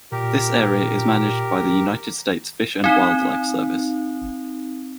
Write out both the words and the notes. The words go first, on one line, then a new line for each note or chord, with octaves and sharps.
This area is managed by the United States Fish and Wildlife Service.
A#2 G4 A#4
C4 D#4